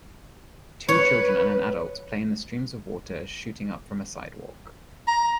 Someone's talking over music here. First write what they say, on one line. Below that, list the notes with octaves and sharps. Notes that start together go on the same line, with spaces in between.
Two children and an adult play in the streams of water shooting up from a sidewalk.
B4 C#5
A#5